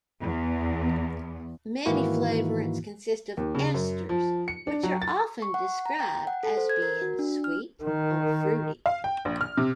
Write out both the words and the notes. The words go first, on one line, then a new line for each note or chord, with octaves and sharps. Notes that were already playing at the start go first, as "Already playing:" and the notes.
Many flavorants consist of esters, which are often described as being "sweet" or "fruity".
E2
G#2 D#3 E3 A#3 E4 F#4
D#2
C#3
F#2
F3
C#7
D4
F#3
A6
C#6
F#5
A#5
G5
F#5
A4
C5
G#6
A#4
F#4
D4
F6
D#3
F5
G5
A#1
F6
C3